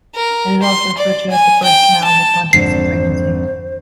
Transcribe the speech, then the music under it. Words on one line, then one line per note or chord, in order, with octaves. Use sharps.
It is also referred to as the birth canal in the context of pregnancy.
A#4
C6
D5
G#5
G5
A5
G#1 F2 D3 C5 C7